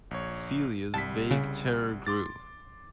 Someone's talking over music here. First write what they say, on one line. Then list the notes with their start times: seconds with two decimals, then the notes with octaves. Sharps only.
Celia's vague terror grew.
0.11 A#1 C#5
0.94 C2 G3 A5 B6
1.31 C#3
2.07 C6 D6 A6